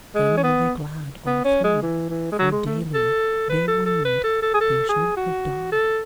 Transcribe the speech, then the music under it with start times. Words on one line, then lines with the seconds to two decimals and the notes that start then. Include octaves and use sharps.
Then were they glad all three, for daily they weened they should have died.
0.15 G#3
0.37 C#4
0.43 B3
1.27 B3
1.45 C#4
1.64 G#3
1.82 E3
2.10 E3
2.32 G#3
2.39 F#3
2.52 G#3
2.66 A3
2.94 A4
3.49 B4
3.68 A4
3.86 A4
4.05 B4
4.24 A4
4.42 A4
4.54 G#4
4.60 A4
4.89 G#4
5.17 F#4
5.72 A4